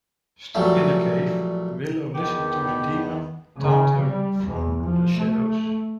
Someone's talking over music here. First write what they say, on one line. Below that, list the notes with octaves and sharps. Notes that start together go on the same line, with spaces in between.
Stuck in the cave, Willow listens to the demon taunt her from the shadows.
A#1 E3 F#3 G3 A3
E2 D#3 B3 G4
C#3
G3
E2
F3
A3